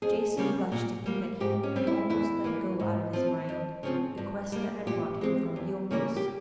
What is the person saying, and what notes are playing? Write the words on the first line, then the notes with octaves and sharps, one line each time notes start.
Jason blushed to think that he had almost let go out of his mind the quest that had brought him from Iolcus.
F2 G#4
C#3 G3 A#3
A#2
G3 A#3
G#2 G4
C#4
G3 C4
E4
E2 E4
E3 A#3
G#2
F3 C4
F2
C#3 F3 C4
G2
G3 A#3
A#2 G4
G#3 C4
E2
C#3 E3 G3 A#3
G4